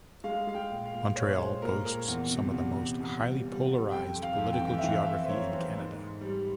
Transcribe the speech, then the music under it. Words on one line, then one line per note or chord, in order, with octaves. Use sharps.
Montreal boasts some of the most highly polarized political geography in Canada.
G#3 F5
G#3 F5
G5
A#2
F5
A#2
A#2 C#5
G#3 C5
A#2 A#4
A#2 A#4
E2
C3
E2
C3
E2
G3
G3
G3
F2 G5
F2
F5
F2
G5
E3
G5
E5
E3 F5
F2 E5
C5
A#3 C#5
E3 C5
G#2
G#2
G3